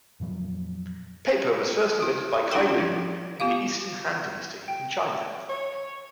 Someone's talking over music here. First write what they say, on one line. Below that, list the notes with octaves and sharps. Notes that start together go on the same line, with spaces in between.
Paper was first invented by Cai Lun in the Eastern Han Dynasty in China.
F2 A#2 F3 F#3
E4 F#4
C#4 D4 E4 G4 A4 G5
F3
B3 F4 G4 F5
G5
C#5